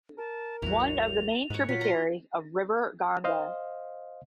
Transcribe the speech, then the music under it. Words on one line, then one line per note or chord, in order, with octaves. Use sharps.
One of the main tributaries of river Ganga.
A#4 A5
A1 E2 F#3 E4 F#4 F7
F#2
G#2 B4 C#5
A#2 F#3 F4 B6
A#5 C6
C5 D#5 F5